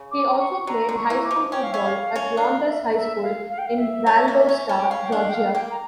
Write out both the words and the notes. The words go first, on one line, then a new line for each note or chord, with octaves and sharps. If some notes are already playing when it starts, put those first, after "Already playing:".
He also played High School Football at Lowndes High School in Valdosta Georgia.
Already playing: C#3
D6
A#5
C#6
D3 A#5
D3
C#6
E3
D6
F3
C#4 G5
F5
C#4 E5
F5
C#4
D4 F5
E5
E5
F5
F5
G5
F5
E5
C#4
A#3
C#4
C#4 A5
G5
C#4 F5
G5
D4 F5
G5
F5
A#3 G5
A#5